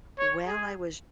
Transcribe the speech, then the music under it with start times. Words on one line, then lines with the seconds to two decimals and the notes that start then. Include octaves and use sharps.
while I was
0.19 C#5
0.47 G#4